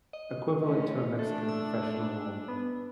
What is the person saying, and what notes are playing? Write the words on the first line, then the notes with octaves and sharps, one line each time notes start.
equivalent to a Mexican professional
D#5
A2 E3 C#4
A3 D4 A4
E6
B3